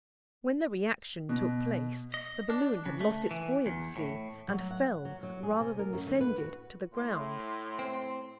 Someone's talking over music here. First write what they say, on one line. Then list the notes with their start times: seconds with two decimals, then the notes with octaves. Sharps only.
When the re-action took place, the balloon had lost its buoyancy, and fell, rather than descended, to the ground.
1.29 B2
2.14 D#5
2.50 D4
2.86 C#3
3.01 A3
3.31 E3
3.66 E2
3.96 A2
4.48 F#3
4.70 F#5
5.05 F#3
5.23 F#3
5.43 G#4
5.60 C3
5.79 A#4
5.93 F#2
6.07 D3
6.21 B4
6.38 F#4
6.92 A2 C6
7.79 C4